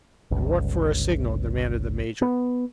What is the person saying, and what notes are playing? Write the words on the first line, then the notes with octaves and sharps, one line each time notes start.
"And what for a signal?" demanded the major.
G1 C#2
B3